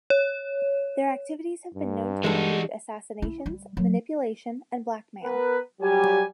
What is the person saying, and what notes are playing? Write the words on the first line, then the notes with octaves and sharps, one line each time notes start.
Their activities have been known to include assassinations, manipulation and blackmail.
C#5
G2
E3 G#3 D#4 F#4 G4 A4 D5
E4
G3
F#3
B3 A#4 B4
F#3 G3 G4 G#5